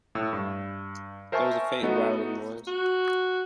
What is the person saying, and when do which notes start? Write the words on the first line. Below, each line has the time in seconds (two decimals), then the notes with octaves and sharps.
There was a faint rattling noise.
0.15 A2 E6
0.33 G2
1.32 A#4 C5 E5 G#5 A5 C#6
1.83 A3 B3 D#4 F#4
2.67 F#4